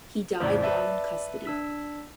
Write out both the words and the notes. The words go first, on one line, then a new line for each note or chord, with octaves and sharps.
He died while in custody.
F2 A2 C#3 C5 D5
B4 D5 E5 A5
D4 E6 B6